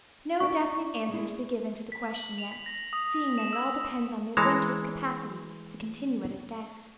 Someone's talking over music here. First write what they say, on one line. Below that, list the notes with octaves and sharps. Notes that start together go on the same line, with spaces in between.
No definite answer to be given to the question yet, seeing that it all depends on Midwinter's capacity to continue at his desk.
D4 E4 D5 C#6
G#3 E4
B6
F#7
F7
B6
A#6
D#6
E7
E6
E3 G#3 C#5 A5 A#5